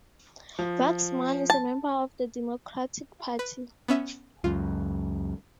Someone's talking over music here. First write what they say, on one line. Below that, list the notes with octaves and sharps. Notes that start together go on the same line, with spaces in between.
Waxman is a member of the Democratic Party.
F3
A5
B4
B3 C#4 E5
C#2 F#2 F4